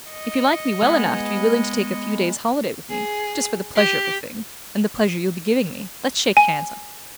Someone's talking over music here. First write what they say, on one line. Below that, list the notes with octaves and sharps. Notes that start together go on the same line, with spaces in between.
If you like me well enough to be willing to take a few days' holiday with me, just for the pleasure of the thing, and the pleasure you'll be giving me, let's shake hands on it.
D#5 C#7
G#3 B3
G#4
G4
G#5